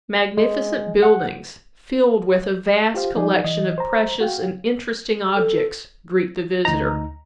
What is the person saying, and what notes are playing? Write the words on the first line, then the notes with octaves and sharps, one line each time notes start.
Magnificent buildings, filled with a vast collection of precious and interesting objects, greet the visitor.
G#3
F#5
F4 G4 C5 F5
F3 D#4 G#4 D5
E3 D#5
C5 A#5
F#4 F5 G5
A4
D2 D#4 A#5